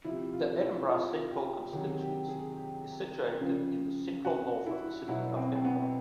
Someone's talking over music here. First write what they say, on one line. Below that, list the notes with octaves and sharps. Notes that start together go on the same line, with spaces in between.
The Edinburgh Central constituency is situated in the central-north of the City of Edinburgh.
C3 F3 E4
F4
E4
F4
G4
C3 D#3 F#3 G#4
G4
G#4
G4
C#3 F3
F#4
E4
B2 F#3 E4
C4
C4
B3